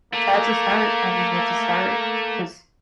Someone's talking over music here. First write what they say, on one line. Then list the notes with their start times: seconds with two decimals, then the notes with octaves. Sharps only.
that's a start. I mean, that's a start 'cause
0.14 A3 A#3